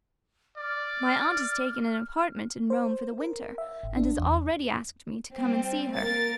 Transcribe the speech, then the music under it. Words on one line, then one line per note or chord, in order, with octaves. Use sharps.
"My aunt has taken an apartment in Rome for the winter and has already asked me to come and see her."
D5 F6
C5
A#4
E5
G#1
D4
E2
G3 C4
A#3 A#4 A6